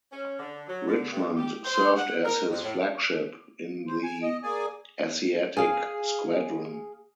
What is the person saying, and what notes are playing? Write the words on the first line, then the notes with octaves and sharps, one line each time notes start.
"Richmond" served as his flagship in the Asiatic Squadron.
C#4
D3
F#3
D3
G2
G4
C5
F#5
A#4
F2
A2
C5
G#5
D#5
A#3 G#4 D5 G#5
G#4 F5